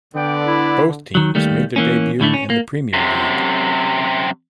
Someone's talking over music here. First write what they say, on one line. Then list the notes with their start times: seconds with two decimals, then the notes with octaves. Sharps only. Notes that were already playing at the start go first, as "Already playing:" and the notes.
Both teams made their debut in the Premier League.
0.15 D3 B3 D5 G5
0.47 E4
1.15 D#3 F#3
1.35 D#2 D#3 G3 A3
1.76 E3 A#3 C#4
2.20 D2 A2 D3 A3
2.34 C#4
2.50 A#3
2.94 F#2 C3